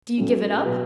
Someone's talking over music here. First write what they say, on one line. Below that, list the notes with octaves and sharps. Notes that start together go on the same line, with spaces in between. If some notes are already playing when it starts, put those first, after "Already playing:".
"Do you give it up?"
A2 F#3 C#4
B2 F#3 B3 B4